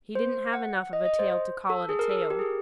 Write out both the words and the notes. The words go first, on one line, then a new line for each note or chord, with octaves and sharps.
He didn't have enough of a tail to call it a tail.
C5
F#5
D#5
D#5
C5
A4
G#4
A#4
A4
A#4
G4
G#4